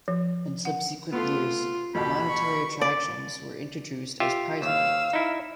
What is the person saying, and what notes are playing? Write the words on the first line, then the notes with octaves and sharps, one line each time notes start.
In subsequent years monetary attractions were introduced as prize money.
F3
F#5
A3 B3 F4
A1 D#2 B2 G4 B5
C#6
D5
F4 G4 E5
D#2 F5 E6
D#4 E4